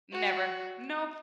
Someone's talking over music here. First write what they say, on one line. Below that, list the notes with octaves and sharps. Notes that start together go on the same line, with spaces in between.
Never. Nope.
F#4